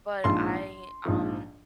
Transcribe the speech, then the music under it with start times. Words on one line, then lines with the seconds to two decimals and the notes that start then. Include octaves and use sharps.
But I, um
0.24 A#1 G#2 F3 C6
1.05 A#1 G#2 F3